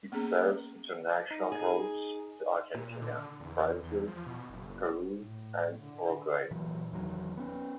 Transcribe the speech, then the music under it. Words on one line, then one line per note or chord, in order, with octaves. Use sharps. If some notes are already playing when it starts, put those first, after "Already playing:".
It serves international routes to Argentina, Brazil, Peru and Uruguay.
A#3 B3 C#4 G#4 A#5
D#4
G#4
A#2
D3
E2
E2
F3
B2
F#1
A2
D3
A#2 E3 F#3
F#1 E2 D#3 F#3
B3 C#4